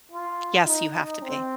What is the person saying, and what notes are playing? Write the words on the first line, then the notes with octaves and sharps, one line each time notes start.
Yes, you have to be.
F4
D#4
C4